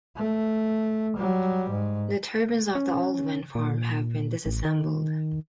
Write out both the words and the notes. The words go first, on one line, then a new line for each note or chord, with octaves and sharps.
The turbines of the old wind farm have been disassembled.
A3
F#3 G3
G#2
C#4
A#2
A1
D#3